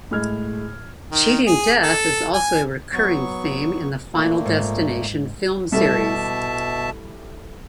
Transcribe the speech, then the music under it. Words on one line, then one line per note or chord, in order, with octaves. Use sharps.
Cheating death is also a recurring theme in the "Final Destination" film series.
A2 G#3 F6 G#6
D#3
G#4
A4
G#5
F#3 B3 C#6
A#2 A3 A#3
G#2
B2 G3 A3 E4 E5 A5